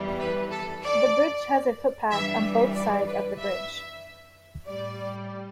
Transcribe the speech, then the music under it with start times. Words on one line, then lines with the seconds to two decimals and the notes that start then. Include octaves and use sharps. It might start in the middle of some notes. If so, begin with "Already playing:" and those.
The bridge has a footpath on both sides of the bridge.
Already playing: E2 E3 G3
0.19 B4
0.51 A4
0.83 D5
2.11 G2 E3 G3 E5
2.74 D5
3.06 B4
3.38 E5
4.67 A2 G3 D5